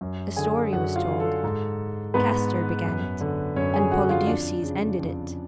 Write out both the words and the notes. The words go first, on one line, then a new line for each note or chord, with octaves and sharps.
A story was told; Castor began it and Polydeuces ended it.
F#2
D3 G#4 G#5
F#2 F#4 F#5
F4 F5
D3
A4
G#2
G#2 B3 B4
F#2
D3
F#2 C#4 C#5
G#4 G#5
D3 F#4 F#5
F4 F5
F2 D4 D5
C#3
F2